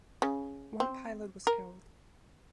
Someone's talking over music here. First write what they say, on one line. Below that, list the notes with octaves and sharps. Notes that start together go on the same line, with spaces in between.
One pilot was killed.
C#3
C4
A#4